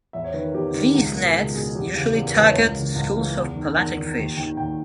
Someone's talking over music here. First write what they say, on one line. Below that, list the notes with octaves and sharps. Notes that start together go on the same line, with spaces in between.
These nets usually target schools of pelagic fish.
E2 E5
C#5
D#3 B4
A#4
E2 G4
D#3
C#2 G#4
B2 A#4
C#2 G#4
B2 G#4
E2 G4
C#3 E3
E2 G#4
A#4
C#3 E3 B4
C#5
C#2 A#4
C#3 E3
C#2
C#3 E3
E2
D#3
E2 A#4
D#3
D#2
D#3 G5
D#2 G5